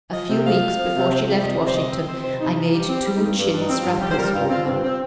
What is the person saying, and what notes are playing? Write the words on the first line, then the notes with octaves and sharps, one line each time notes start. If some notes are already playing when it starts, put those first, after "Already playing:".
A few weeks before she left Washington I made two chintz wrappers for her.
F3 D#5
C3
F3 F5
C4
F3
C3
C4
C3
F3 D#5
C3
C5
F3 D#5
C4
C4 C5
C3 C5
C3 D#4
F3 D#4
G3 G4
C4
G4
G3
D#4
G2
G2
G2
D#4
C4
F4
G2
G3 G4
C5
G3 A#4
G2 F4
C4 F4
G2 C4
C4